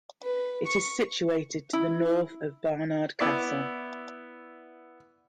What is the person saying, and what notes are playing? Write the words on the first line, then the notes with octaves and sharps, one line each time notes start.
It is situated to the north of Barnard Castle.
B4
C#6
E4
B3 E4 D5